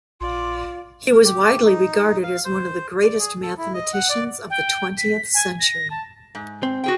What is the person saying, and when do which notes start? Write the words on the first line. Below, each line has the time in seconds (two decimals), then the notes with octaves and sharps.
He was widely regarded as one of the greatest mathematicians of the twentieth century.
0.21 A#1 F4 D5 C6
1.12 A#4
1.25 G4
1.65 D#4
2.23 F5
2.45 C5
3.02 D5
3.19 G#4
3.42 A4
3.58 E4
3.74 D#5
3.93 F#5
4.09 D5
4.50 G5
4.97 B6
5.34 G#5
5.59 A#6
5.90 A5
6.35 G#2
6.63 C4
6.84 F#4 G#4 G5